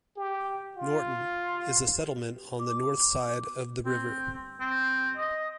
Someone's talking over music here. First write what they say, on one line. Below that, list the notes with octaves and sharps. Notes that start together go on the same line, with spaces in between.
'Norton' is a settlement on the north side of the river.
G4
F4
D6
C4
C4
D#5